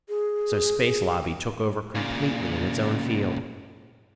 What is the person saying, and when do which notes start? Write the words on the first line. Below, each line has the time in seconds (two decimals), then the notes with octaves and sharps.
So Space Lobby took over completely in its own field.
0.09 G#4
1.95 A#2 C#3